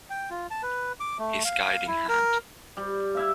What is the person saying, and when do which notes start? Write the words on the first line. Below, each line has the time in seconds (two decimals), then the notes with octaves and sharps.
His Guiding Hand.
0.10 G5
0.30 F4
0.51 A5
0.63 B4
1.00 D6
1.19 A3
1.45 F5
1.87 E4
2.09 A#4
2.77 G3
3.15 E4 E5 F5